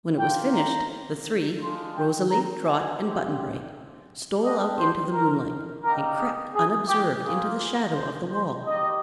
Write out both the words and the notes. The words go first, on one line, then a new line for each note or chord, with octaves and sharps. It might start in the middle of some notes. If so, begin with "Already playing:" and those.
When it was finished, the three--Rosalie, Trot and Button-Bright--stole out into the moonlight and crept unobserved into the shadow of the wall.
A#3 F4 G5
A#5
G#3 D4 F4 C6
G5
A#5
G#5
G#3 C4 G4
G3 D4 G4 D#5
C5
A#4
G3 A#3 D#4 G4 A#4
G#4
G#4
G4
A#3 F4 G#4
C5
C5
A#3 D#4 G4 D#5